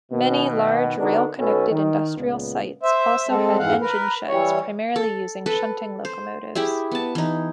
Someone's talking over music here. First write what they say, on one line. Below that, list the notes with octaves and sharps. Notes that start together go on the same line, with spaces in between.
Many large rail connected industrial sites also had engine sheds primarily using shunting locomotives.
B2 D#3
D3 B3 D4 D#4 F#4 A#4
B1 B2 C#4 A4 B4
D#3
C#2 A#2 B3
C5 E5
G#3 C4 A4
F2 G#2 E3 F5 F#5
A#4 B4
E3 G3 C#5
A4
A4 B4
C5
E4 G4 G#4 E5
B3 A5
E3 D#4